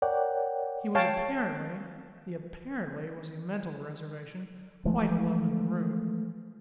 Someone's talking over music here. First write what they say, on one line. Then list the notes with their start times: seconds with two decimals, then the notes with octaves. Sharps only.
He was apparently--the "apparently" was a mental reservation--quite alone in the room.
0.02 A#4 C#5 D5 F#5 G5
0.95 C#5 F5 G5 A5
4.85 E3 F3 G#3 A3